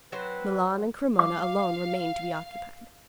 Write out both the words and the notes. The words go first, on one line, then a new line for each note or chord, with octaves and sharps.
Milan and Cremona alone remained to be occupied.
F#3 C4 B4 C5
F5 D6